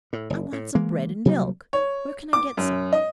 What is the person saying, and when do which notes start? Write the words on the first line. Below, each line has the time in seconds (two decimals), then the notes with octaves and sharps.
"I want some bread and milk. Where can I get some?"
0.13 A2
0.30 F#1
0.53 A2
0.75 E3 G#3 A#3
1.25 C3 F#3 G3 A#3
1.73 C#5
2.33 D6
2.57 F#2
2.93 D#5